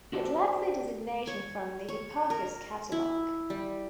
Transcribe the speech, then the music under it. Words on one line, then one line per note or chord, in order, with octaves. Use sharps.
It lacks a designation from the Hipparcos catalogue.
F#4 G4 A4 C5 D5
C#5
C#5
A#4
E4
G3